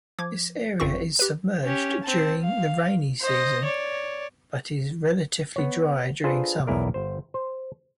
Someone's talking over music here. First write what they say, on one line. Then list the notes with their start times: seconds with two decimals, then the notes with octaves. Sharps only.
This area is submerged during the rainy season but is relatively dry during summer.
0.19 F3 D6 G#6
0.80 A1 F#2 C4 F4 C#6
1.19 G4 B4
1.64 C#4 G4
2.04 C4 A5
2.41 F5
3.21 C5 D#5
3.64 C#5 D5
5.56 B3 C#5
6.24 D4 F4 G#4 A4 B4 C5
6.67 B1 E2 E4 G#4 A#4 D5
6.94 G1 C5
7.34 C5